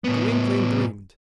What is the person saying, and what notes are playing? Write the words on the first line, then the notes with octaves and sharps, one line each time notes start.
Gwynplaine dreamed.
A2 B3